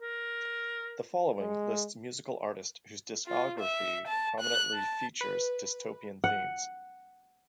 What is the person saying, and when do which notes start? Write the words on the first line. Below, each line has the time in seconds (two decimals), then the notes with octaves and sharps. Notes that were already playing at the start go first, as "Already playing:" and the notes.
The following lists musical artists whose discography prominently features dystopian themes.
0.01 A#4
1.41 G#3
3.27 F4
3.60 E5
4.07 A5
4.40 F#6
4.73 A5
5.21 B4
6.24 F#5